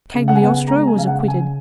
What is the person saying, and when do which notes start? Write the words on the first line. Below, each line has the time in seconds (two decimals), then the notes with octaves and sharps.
Cagliostro was acquitted.
0.14 C#3
0.28 F#5
0.35 G#5
0.41 B3 F#5
0.67 G#3 A#5
0.87 G#5
0.94 C#3 F5
1.07 F#5
1.21 C#3
1.28 G#5